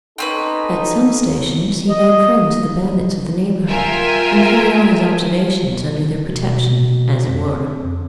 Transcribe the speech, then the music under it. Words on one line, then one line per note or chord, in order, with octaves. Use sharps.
At some stations he made friends of the bandits of the neighborhood, and carried on his observations under their protection, as it were.
C4 C#4 D#4 A4 B4
D#5
F4 A#4 E5 G5 G#5
B2
F2